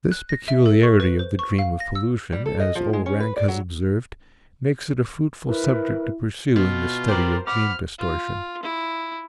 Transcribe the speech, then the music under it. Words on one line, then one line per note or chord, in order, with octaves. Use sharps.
This peculiarity of the dream of pollution, as O. Rank has observed, makes it a fruitful subject to pursue in the study of dream distortion.
F#6
A#6
E5
A4
C#6
B4
C5
C#6
F5
A#6
E6
G3
A4
D#5
F3
G#3
C#4
B4
D5
F#3
E4 A#4 B4
B2 F4
G4 A#4 C5 D5 B5
F#5 B5 D6 F6
F4
E4